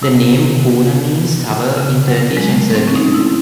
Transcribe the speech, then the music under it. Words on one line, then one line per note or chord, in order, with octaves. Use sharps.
The name "Kula" means "tower" in Turkish and Serbian.
C3
C#3
F#3
G#3
A3
C4
C#4
D#4
E4